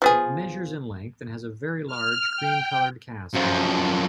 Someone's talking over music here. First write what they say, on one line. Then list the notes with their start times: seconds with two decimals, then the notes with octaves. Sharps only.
It measures in length, and has a very large cream-colored casque on the beak.
0.02 F3 B3 G#4
1.87 F6
2.37 G5
3.34 F#2 F3